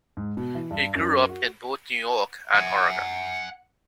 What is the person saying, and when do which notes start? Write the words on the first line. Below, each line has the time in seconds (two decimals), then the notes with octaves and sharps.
He grew up in both New York and Oregon.
0.17 G#2
0.37 B2
0.55 E3
0.71 G2
0.95 F#2
1.29 F#4
2.55 F#5 G#5